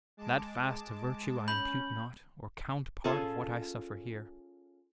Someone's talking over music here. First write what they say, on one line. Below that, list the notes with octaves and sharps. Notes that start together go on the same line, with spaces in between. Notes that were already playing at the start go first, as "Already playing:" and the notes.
That fast To virtue I impute not, or count part Of what I suffer here.
G#3 A5 D6
C#4 B5 G6 F#7
C#4 F4 G#4 A4